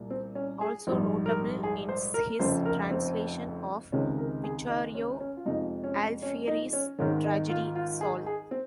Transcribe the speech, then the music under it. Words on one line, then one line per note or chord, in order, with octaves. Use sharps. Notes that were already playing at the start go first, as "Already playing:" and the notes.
Also notable is his translation of Vittorio Alfieri's tragedy "Saul".
Already playing: C2 A#2 G3
C4
C#4
G#4
A#1 G#2 G3
A#4
G#4
C5
A#4
F1 F2 C#3 F3 C5
A#4
C4
C#2 C3 D#3 G#3 C#4
A#4
G#4
D#4
C#4
C#4
F4
F2 C3 F3 G#3 D#4
C#4
C#4
D#4
C#4
G#1 G#2 D#3 G#3 C#4
D#4
F4
F4
G#4
G#4
C4